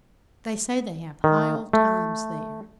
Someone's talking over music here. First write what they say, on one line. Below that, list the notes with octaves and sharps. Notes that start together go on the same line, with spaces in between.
They say they have high old times there.
D#3
A3